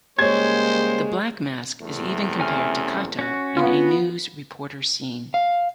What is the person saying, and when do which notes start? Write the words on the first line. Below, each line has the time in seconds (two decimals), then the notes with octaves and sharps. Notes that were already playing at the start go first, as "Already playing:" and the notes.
The Black Mask is even compared to Kato in a news reporter scene.
0.19 C#3 G3 G#3 A#3 C5 C#5 G#6
1.81 E2 C3 A3
2.40 C#4 G#5 F6
3.19 C#4 F#4
3.57 B3 F4
5.34 F5